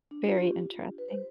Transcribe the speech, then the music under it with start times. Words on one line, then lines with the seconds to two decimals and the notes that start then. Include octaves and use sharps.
Very interrupting.
0.11 D4
0.26 F4
0.41 G4
0.98 B4
1.08 C5